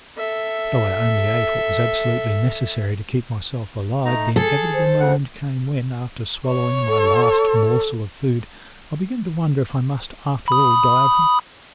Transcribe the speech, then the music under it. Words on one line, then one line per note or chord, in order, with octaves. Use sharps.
Though I only ate what was absolutely necessary to keep myself alive, the inevitable moment came when, after swallowing my last morsel of food, I began to wonder if I must after all die of hunger.
A4 E5
A3 D#4 A#5
G#4 A4
C5
D2 C#3 F#5
C#5
A4
B5 D#6